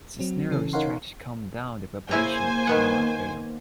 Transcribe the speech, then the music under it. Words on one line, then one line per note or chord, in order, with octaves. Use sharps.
Cisneros tried to calm down the population, to no avail.
F#3 C4
C#3 E3 C#4 A4
D#4 A#4 C#5 F5 F#5 C6
C#3 A#3 E4 C5 G#5 A#5
D#3 B3 F#5